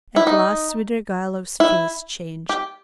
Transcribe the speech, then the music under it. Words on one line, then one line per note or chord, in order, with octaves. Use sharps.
At last Svidrigailov's face changed.
E4
D#4
E4
G4